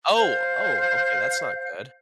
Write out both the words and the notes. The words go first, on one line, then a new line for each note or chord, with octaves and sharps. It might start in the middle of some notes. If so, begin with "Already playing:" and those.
Oh! Oh, okay. That's not good.
C5 F5 G6